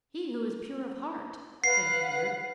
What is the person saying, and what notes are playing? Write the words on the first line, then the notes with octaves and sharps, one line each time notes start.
"He who is pure of heart," said a third.
B4 F5 F#5 C7